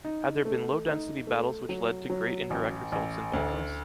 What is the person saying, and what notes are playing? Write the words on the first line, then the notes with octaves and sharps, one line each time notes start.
Had there been low-density battles which lead to great indirect results in Balkans?
D#4
A3
D#4
A3
F#3
F#3
A1
A1
D2